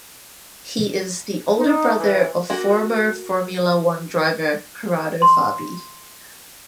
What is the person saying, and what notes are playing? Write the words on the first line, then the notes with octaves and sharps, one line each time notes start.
He is the older brother of former Formula One driver Corrado Fabi.
D#4
E3
A#3 F#4
C6